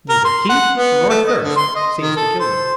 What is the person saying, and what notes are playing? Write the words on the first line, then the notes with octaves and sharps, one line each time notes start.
Neither heat nor thirst seems to kill them.
A#4
C6
F#5
B3
A3
D#5
D3
C6
D#5
D#3
A4
C5